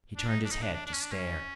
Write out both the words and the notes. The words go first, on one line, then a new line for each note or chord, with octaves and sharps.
He turned his head to stare.
D4
D#4
D4
D#4
D4
D4
D4
C#4
D4
C#4